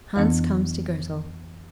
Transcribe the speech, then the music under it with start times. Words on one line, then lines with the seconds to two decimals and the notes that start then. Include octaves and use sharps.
Hans comes to Grettel.
0.16 F2 E3 B3 D4